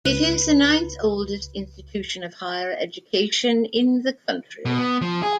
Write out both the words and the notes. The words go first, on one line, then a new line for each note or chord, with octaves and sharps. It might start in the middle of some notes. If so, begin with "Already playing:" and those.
It is the ninth oldest institution of higher education in the country.
C#2 B4
B2
B3
F3
G#4